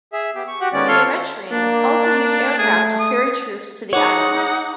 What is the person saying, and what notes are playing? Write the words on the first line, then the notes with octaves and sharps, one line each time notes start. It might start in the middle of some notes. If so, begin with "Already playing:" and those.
The Eritreans also used aircraft to ferry troops to the island.
G#4 E5
B3 G4
C#6
F#4 G4 F#5
D#3 G#3 B3 C#4 D5
F4 A4 C#5 F5 C6 F6
A#3 D4
A3 G#4
D#6
D#4 G#4 C#5 F#5 B5 D6 F#7